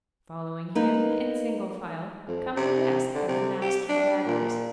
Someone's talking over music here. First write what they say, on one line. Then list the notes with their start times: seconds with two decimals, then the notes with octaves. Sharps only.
Following him, in single file, come the rest of the Master Draggers.
0.75 A#3 D#4 B4
2.28 F2
2.57 C3
3.15 D3
3.28 C3
3.62 G4
3.89 D4
4.26 A#2